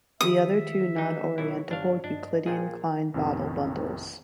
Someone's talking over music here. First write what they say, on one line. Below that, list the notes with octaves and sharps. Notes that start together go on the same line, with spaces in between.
The other two non-orientable Euclidean Klein bottle bundles.
D#3 F3 G4 E5 D#6
E3 D#4
B1 E3 E4 C#5
G1 D4 F5
G2 D4 D#5
A#1 A#2 G#4 F5 G5 G#5
A1 F2 C3 D#3 B3